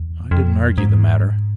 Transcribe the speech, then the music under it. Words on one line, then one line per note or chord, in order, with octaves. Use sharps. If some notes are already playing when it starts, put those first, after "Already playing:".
I didn't argue the matter.
Already playing: E2
F2
G#2